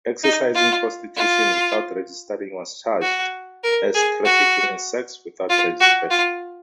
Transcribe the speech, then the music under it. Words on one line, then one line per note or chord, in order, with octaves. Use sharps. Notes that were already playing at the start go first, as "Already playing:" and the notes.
Exercising prostitution without registering was charged as "trafficking in sex" without registration.
D#4
F4
F4
F#4
A#4
G#4
F#4
F4
F#4
F4